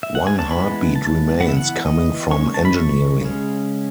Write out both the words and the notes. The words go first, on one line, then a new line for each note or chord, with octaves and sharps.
One heartbeat remains, coming from Engineering.
E5
F#5
G#5
A5
E3 G#3 B3 B5
A5
E3 B3 F#5
E5
F#5
D#5
D#3 G#3 C#4 C#6
A5
B5
C#6
C#3 G#3 C#4